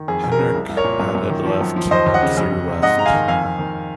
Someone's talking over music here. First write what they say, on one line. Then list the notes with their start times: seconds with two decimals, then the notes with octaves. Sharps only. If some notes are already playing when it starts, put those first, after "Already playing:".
Henrich batted left and threw left.
Already playing: D#3
0.08 F2 G#4
0.24 F2
0.32 A#4
0.38 C#3
0.54 C2
0.69 C2
0.77 A#4 C#5
0.84 A#2
1.00 F#2
1.15 F#2
1.30 D#3
1.45 F3
1.61 F#2
1.76 F3
1.91 D#2 C5 D#5
2.06 D#2
2.14 D#5 F#5
2.22 C#3
2.37 F2
2.52 F2
2.68 C3
2.82 G#2 D#5 F#5
2.98 G#2 A#5
3.06 F5 G#5
3.13 D#3
3.28 F2 F5 G#5
3.44 F2
3.59 D#3